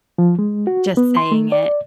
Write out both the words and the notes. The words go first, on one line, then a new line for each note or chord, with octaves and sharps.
just saying it
F3
G#3
F#4
B3
C6
A3
D5